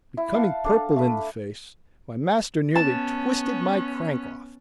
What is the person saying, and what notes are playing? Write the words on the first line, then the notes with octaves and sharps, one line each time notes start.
Becoming purple in the face, my master nearly twisted my crank off.
E4
F5 F#5 A5
D4 A4 F5
A3 B5
B3 C#4 A5